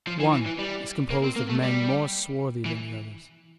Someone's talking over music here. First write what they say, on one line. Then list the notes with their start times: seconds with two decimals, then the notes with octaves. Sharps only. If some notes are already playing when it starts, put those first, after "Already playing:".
One is composed of men more swarthy than the others.
0.07 F3
0.20 E3
0.32 E3
0.46 E3
0.58 G3
1.10 A#3
1.24 C4
1.36 A#3
1.49 A3
1.62 G3
2.66 E3